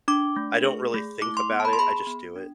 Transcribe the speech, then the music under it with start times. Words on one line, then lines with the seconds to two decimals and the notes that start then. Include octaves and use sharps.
I don't really think about it, I just do it.
0.08 D4 D6
0.36 A3
0.65 G#4
0.94 A3
1.21 E4 D6
1.37 C6
1.50 B3
1.60 A5
1.65 B5
1.73 C6
1.79 G#4 B5
2.07 B3
2.36 D4